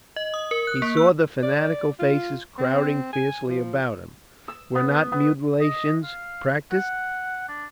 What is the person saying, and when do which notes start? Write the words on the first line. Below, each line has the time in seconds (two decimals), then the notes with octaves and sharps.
He saw the fanatical faces crowding fiercely about him ... were not mutilations practised?...
0.16 D#5
0.34 D#6
0.51 A#4
0.67 F#6
0.82 A#3
0.97 E6
1.43 D5
1.99 F4
2.58 C4
3.13 G#5
3.48 F3
4.48 E6
4.75 B3
5.12 B3
5.60 D#5
6.03 F5
6.71 F#5
7.48 D4